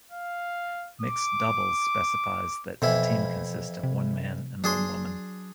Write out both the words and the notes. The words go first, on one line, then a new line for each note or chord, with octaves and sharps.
Mixed doubles specifies that the team consist of one man and one woman.
F5
D6
F2 B2 E3 E4
C3
F#3 D4 G#4 C6